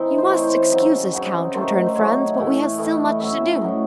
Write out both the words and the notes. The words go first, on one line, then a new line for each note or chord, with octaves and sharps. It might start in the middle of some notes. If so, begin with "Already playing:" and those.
"You must excuse us, count," returned Franz, "but we have still much to do."
Already playing: E3 C4 D#4
C5
E3 C4 D#4 C#5
C5
C#3 F#3 C4 D#4
C#3 F#3 C4 D#4
D#3 F#3 A3 D#4 C5
C5
D#3 F#3 A3 D#4 C#5
A2 E3 A3
A2 E3 A3 D#5
A2 F#3 C#4 E5
A2 F#3 C#4 D#5